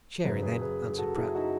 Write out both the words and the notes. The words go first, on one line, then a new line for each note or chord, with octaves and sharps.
"Sherry, then," answered Pratt.
F#2 C#3 F#3 G#4 B4
G#4 B4
G#4 B4
F#4 A4
E4 G#4
D#4 F#4